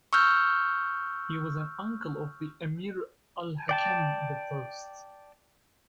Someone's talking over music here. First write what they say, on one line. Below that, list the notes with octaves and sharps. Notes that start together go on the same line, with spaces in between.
He was an uncle of the Emir Al-Hakam the First.
C#6 E6 F6 G6
D5 G5 A5